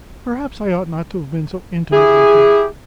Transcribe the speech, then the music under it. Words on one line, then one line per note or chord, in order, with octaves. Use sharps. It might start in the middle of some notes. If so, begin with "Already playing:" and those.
Perhaps I ought not to have been so intimate with you.
E4 G4 G#4